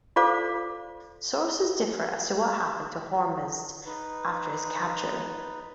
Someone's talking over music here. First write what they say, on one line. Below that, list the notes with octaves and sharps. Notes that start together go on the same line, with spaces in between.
Sources differ as to what happened to Hormizd after his capture.
F4 A4 C5 D5 F5 D6
D#4 B4